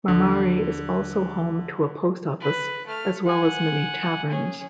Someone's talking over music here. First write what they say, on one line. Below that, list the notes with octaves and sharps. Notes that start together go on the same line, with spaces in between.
Marmari is also home to a post office, as well as many taverns.
D#2 D3 F3
B4
A3 F6
F#5 G#5
C#4 G#4